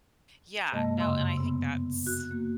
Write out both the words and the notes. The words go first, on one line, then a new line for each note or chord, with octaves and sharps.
Yeah, no, and I think that's
G2 C3 G#3 A#3 D#5 A5
F#2 C#3 D#5 C6 E6
C3 B3
F#4 F#6
A#3